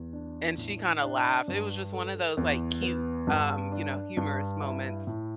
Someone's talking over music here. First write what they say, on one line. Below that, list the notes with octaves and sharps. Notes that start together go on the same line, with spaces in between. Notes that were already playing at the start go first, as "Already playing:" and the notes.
And she kinda laughed. It was just one of those, like, cute, um, you know, humorous moments.
Already playing: E2
D4
A2
D4
G2
A4
E2
B3
G2
D4
G2
E4
A2